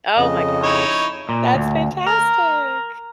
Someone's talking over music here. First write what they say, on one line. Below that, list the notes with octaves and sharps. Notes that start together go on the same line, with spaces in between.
Oh, my gosh. That's fantastic.
F2 C#3 D#5
D#4 E4 C#5
A#2
D2
A#4